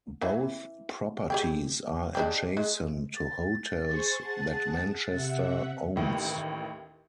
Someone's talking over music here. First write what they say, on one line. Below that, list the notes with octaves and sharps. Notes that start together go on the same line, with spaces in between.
Both properties are adjacent to hotels that Manchester owns.
E3
G4 G#4 G5
G#3 D4 G4
G#3
A6
G#4 C5 C#6
G#4 F#5 A5
C3 E5 F#5
A1 D#2 A2